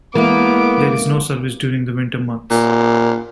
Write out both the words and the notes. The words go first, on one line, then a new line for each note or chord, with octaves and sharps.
There is no service during the winter months.
E3 G#3 A#3 B3 E4 D6
A#2